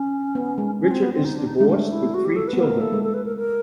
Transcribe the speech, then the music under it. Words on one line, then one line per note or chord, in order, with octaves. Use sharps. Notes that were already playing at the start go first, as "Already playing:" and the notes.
Richer is divorced with three children.
Already playing: C#4
B3
G#3
C#4
C4
B3
C4
D#4
D4
D#4
G#3 D#4
A3 D4
E4
F#4
G4
A4
B4
B3
A#3 A#4
A3
A#3 A4
G#3
A4
B4
A#4
A#4